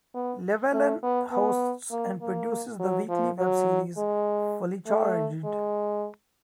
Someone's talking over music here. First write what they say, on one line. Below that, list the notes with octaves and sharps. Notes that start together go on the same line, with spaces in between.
Llewellyn hosts and produces the weekly webseries "Fully Charged".
B3
A3
B3
B3
A#3
A#3
F#3
F3
F#3
G#3
A3
G#3